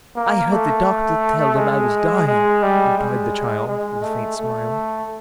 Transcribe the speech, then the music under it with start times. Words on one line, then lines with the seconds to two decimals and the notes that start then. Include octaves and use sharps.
'I heard the doctor tell them I was dying,' replied the child with a faint smile.
0.16 A#3
0.52 A3
1.56 G#3
2.27 G#3
2.62 G3
2.97 G#3
3.68 G#3
4.03 A3
4.37 A3